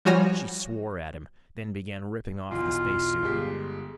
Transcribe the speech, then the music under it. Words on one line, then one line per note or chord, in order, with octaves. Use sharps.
She swore at him, then began ripping off the spacesuit.
F3 G3 F#4 C#5 G#5 A#6
B1 E2 F4
G1 G#3 G4